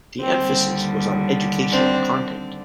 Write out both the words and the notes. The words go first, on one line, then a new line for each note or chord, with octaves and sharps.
The emphasis was on educational content.
D#2 D3 G3 C4
C4 D4